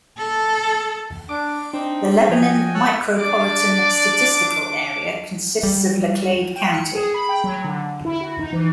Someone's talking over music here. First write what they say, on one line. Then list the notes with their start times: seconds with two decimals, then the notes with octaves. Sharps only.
The Lebanon Micropolitan Statistical Area consists of Laclede County.
0.17 A4
1.29 D4 D6
1.74 C4 D4 D#4
2.29 F3 F#4 D#5 G5 G#5
2.75 C#5 A5 E6 F#6
3.20 D4 D5 D6
5.63 G3
6.56 G5
6.72 C#7
6.95 G#4
7.14 B5
7.29 G5
7.44 F#3
7.64 D3
8.05 E4
8.21 F#4
8.39 D#4
8.52 E3